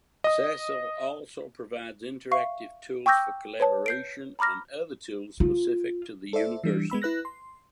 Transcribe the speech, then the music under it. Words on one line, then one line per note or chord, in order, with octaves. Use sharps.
Cecil also provides interactive tools for collaboration and other tools specific to the University.
D#5 D#6
E5 F5 C#6 C7
G5 C#6 D6 E6 G6 A#6
B4 C#5 A5
G6 C7 D7
A#5 B5 D6 F6 A#6
F4
A4 C5 D5 E5
E3 G3 D4
G#3 B3 B5 E6
E4 B4 F#6 A#6
C6